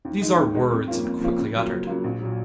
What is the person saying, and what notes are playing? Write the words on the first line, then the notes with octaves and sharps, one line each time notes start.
These are words and quickly uttered.
D#2
D#3 G#3 D#4
D#2
D#3 G#3 D#4
F2
F3 A#3 C#4 F4
F2
F3 A#3 C#4 F4
C#2
C#3 F#3 A#3 F4
C#2
C#3 F#3 A#3 F4
A#1
A#2 F#3